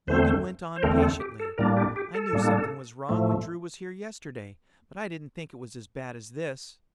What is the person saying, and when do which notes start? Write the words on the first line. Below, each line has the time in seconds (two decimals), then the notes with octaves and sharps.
Logan went on patiently: "I knew something was wrong when Drew was here yesterday but I didn't think it was as bad as this."
0.08 E2 D3 A3 C4 C5
0.76 C5
0.83 E2 D3 A3 C4 A#4
1.02 A4
1.20 G4
1.40 A4
1.58 A2 G3 A#3 D4 A#4
1.77 G4
1.96 G4
2.14 A4
2.33 A2 G3 A#3 D4
3.09 A2 F3 A3